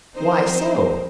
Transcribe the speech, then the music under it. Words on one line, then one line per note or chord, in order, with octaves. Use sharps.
"Why so?"
F3 C4 D#4 A#4 C5